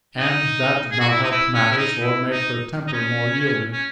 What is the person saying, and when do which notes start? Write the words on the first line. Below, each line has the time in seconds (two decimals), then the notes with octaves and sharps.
And that did not help matters or make her temper more yielding.
0.18 D#4
0.91 G#4
1.00 F#4
1.09 E4
1.23 D#4
1.32 E4
1.54 C#4
1.72 E4
1.77 D#4
2.01 E4
2.31 D#4
2.87 D#4
2.93 C#4
3.73 C#4